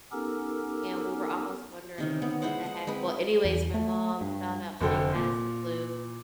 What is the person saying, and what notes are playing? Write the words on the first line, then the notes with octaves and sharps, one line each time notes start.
And, we were almost wondering like, "What the heck?" Well, anyways, my mom found out she has the flu.
B3 C#4 D#4 G4 A4 A#4
C3 D#3 C#4
D#3 B3
G#3 E4 C5 F#5
D#5 F#5
G#3 C4 B4
E2
A3
G2
F1 D3 F#4 A4 C5 G5
A#2